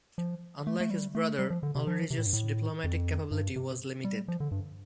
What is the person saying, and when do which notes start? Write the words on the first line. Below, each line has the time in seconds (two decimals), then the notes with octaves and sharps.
Unlike his brother, Ulrich's diplomatic capability was limited.
0.18 F3
0.67 A3
0.80 A3
0.90 G3
1.15 A3
1.39 G3
1.50 F3
1.63 D3
1.75 C3
1.87 F3
2.10 C3
2.18 A2
2.26 G2
2.33 A2
2.84 F2
3.31 G2
3.56 C3
4.04 G3
4.28 F3
4.40 D3
4.51 G2